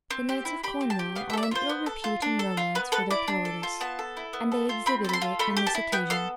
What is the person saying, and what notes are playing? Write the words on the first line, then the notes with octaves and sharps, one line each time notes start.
The knights of Cornwall are in ill repute in romance for their cowardice, and they exhibited it on this occasion.
C4
G4
E4
G4 B5
C4
A5
G4
B3 F5
E5
A4
D5
E5
F4 C5
B3
A4
F4
D4
A4
F4
B3 B4
A4 B4
E4 D5
D4
A4
F4
B3 A5
A4
E4
B3
A4
F4
C4 B5
A4 B5
C6
F4
A3 B5
G4
A5
E4
B3 G5
A4 F5